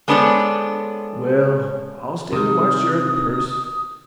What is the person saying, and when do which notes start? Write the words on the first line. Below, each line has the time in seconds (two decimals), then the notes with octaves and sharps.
"Well, I'll stan' to my share of the purse."
0.08 G#3 B3 D4 A4 C5 C#5
2.33 C3 D#3 D#6